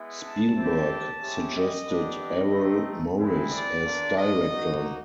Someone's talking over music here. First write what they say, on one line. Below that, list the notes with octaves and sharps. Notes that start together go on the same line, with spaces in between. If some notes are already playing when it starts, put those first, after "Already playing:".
Spielberg suggested Errol Morris as director.
Already playing: G#3 B3 E4
A5
G3 C4 E4 G4
G#3 C#4 E4 G4
D#5
B3 D4 G4
D#5
A3 C4 D#4
G#3 C4 E4
D5
A#3 D4 F4
D#5
A#3 D#4 F#4